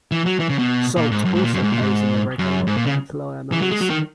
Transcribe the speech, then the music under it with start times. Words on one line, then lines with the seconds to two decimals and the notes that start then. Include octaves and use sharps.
Sult also plays in the reggae rock band Lionize.
0.11 E3
0.26 F#3
0.40 E3
0.50 C#3
0.59 B2
0.97 A#2
1.11 G#2
1.25 F#2
1.35 G#2
1.44 A#2
1.54 F#2
1.63 G#2
1.72 A#2
1.81 G#2
2.39 F#2
2.67 G#2
2.76 A#2
2.86 C#3
3.52 E3
3.62 F#3
3.72 G#3
3.81 F#3
3.90 D#3